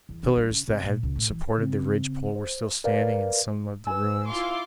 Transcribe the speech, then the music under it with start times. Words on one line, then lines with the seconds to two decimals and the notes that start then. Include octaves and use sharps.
The pillars that had supported the ridgepole were still standing in some of the ruins.
0.09 E2
0.23 D#3
0.37 G2
0.51 C#3
0.68 C3
0.84 A#2
1.03 C#2
1.16 A2
1.30 E3
1.58 C#3 C4
2.36 C5
2.84 A#4 B4 D5 F5
3.87 B4 G#5 E6
4.28 E4 F4 C6 D6